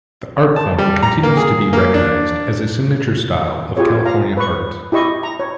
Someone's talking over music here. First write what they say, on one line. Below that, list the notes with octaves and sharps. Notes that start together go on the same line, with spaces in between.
The art form continues to be recognized as a signature style of California art.
A5
G3
A#5
A#3
G#4
A#3
D4
F4 G4 G#4 C#5
F5 A#5
B4 C#6
E4 G4 D#5 C#6
A#5
C#5